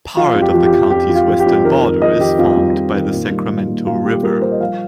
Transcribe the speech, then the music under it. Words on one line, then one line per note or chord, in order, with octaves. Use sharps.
Part of the county's western border is formed by the Sacramento River.
F3 F4
F2
G4
F3
G4
F3
F2 G4
F3
F4
F3
G4
F2
D#3 A#4
F2 A#4
F2 D#5
D#3 G4
F2 F4
G3
F2
D#3
A#2
G3
A#2
A#2
A#2 F4
G3 G4
G3 A#4
G3 C5
D#5
F3 F5